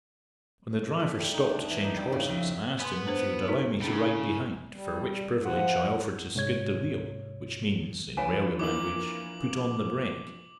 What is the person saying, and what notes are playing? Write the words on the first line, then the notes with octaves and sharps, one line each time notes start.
When the driver stopped to change horses, I asked him if he would allow me to ride behind, for which privilege I offered to skid the wheel, which means, in railway language, put on the brake.
A3
G3
D#4
D4
E3
D#4
G3
C#3
F2
E5
B3 G#5 C6
D4 B4 C5
D#4 F#4 A4
C#3 A#3 D4 E4
G3
F3 F#5
C2 G#2 C3 C#5 G#6
F3 D4 F4 B4 C#5 F5 G#5
E3 A#3 D6 F#7